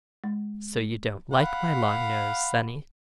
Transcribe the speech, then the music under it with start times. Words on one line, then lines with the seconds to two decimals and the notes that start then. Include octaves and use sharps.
'So you don't like my long nose, sonny?
0.24 G#3
1.32 F5 F#5 B5